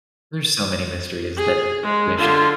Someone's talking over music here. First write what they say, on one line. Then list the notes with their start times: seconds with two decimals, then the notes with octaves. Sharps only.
There's so many mysteries that I wish
1.37 G#4
1.83 G#3
2.18 D3 F4